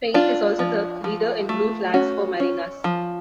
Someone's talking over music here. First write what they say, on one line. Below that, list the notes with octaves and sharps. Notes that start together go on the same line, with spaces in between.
Spain is also the leader in blue flags for marinas.
D4 F4
F3
F3
A3
C#4 F#4
C#4
F3